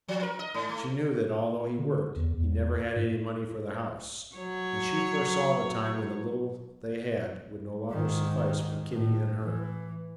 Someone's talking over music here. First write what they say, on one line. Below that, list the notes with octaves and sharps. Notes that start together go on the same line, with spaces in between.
She knew that although he worked he never had any money for the house, and she foresaw the time when the little they had would no longer suffice for Kitty and her.
F3
A#4
D#5
G#2
A3
D3
E2
E2
G#2
F#3 C#5
G#2 D#3
A2
E3